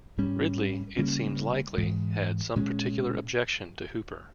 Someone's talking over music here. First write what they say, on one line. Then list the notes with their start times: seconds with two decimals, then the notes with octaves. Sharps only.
Ridley, it seems likely, had some particular objection to Hooper.
0.18 G#2 G3 C#4
0.97 C#3 G3 A#3 C#4
1.77 G#2 E3 G#3
2.56 A#2 G#3 C#4